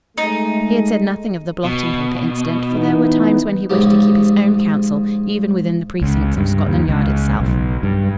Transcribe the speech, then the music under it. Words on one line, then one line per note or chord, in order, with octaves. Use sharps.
He had said nothing of the blotting-paper incident, for there were times when he wished to keep his own counsel even within the precincts of Scotland Yard itself.
G#3 A3 D#4
B2
E3 B3 D#4
A#1 G#2 C#3 G4
C#2
G2
D#2
C#2
B1
G2